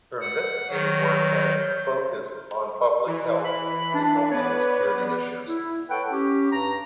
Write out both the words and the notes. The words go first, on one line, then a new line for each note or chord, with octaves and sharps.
Her investigative work has focused on public health and homeland security issues.
F#5
D#3 F#3 C#5
G6
E3
B5
D4
B3 B4 C#5 D5
E4
A4 B4 C#5 F#5 G5
C#4 G4
G2 A#5